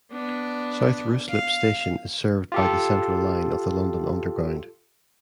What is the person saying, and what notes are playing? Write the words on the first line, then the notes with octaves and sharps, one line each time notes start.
South Ruislip station is served by the Central line of the London Underground.
B3 D4
F5
F4 G4 A4